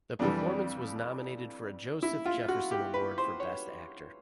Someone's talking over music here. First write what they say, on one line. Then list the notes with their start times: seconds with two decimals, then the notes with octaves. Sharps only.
The performance was nominated for a Joseph Jefferson Award for best actor.
0.19 F2 C3 E3 G3 D4
2.03 E4
2.25 F4
2.48 F#4
2.71 G4
2.94 B4
3.18 C5
3.40 C#5